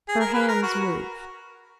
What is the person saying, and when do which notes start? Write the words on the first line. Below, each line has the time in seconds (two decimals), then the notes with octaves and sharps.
Her hands moved.
0.08 G#4
0.20 A#4
0.34 B4
0.48 A#4
0.63 F#4